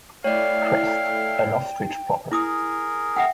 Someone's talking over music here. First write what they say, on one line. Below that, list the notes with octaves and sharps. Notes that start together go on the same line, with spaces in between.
Crest: An Ostrich proper.
A3 E4 C#5 D5 F5 G5
E4 G#4 A#4 D6 D#6
E5 F#5 G5